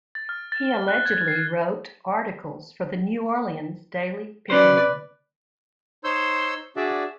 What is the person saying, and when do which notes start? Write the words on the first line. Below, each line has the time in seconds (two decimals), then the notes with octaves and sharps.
He allegedly wrote articles for the "New Orleans Daily Picayune".
0.15 A6
0.29 F6
0.52 A6
0.71 G7
0.88 F#6
1.05 G#6
1.28 C7
4.50 F#3 C#4 B4 C5 D5
6.04 D#4 C5 C#5 C6 E6 G6
6.76 D4 F#4 G#4 D5 E5